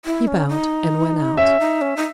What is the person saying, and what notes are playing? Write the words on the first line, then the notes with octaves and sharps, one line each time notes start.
He bowed and went out.
E4
C#4
D#4
C#4 E5
D#4
C#4
D#4